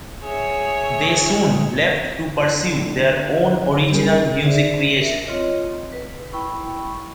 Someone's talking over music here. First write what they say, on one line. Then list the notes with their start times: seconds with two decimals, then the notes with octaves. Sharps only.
They soon left to pursue their own original music creation.
0.23 G#4 C#5 E5
2.42 D3
3.91 G3 C#4 G#4 A#4
4.43 G#4 C5 D5 E5
4.97 A#4 E5
5.26 C4 F4 C#5 D#5
5.92 B4
6.33 E4 G5 B5 C#6